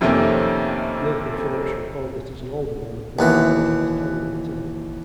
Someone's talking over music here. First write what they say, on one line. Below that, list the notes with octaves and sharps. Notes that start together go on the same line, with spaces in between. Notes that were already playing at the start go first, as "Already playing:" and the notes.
Nathan Phillips recalled that as an alderman, McBride had a terrible temper.
F2 C3 D#3 A3 A#3 C#4
D#2 B2 E3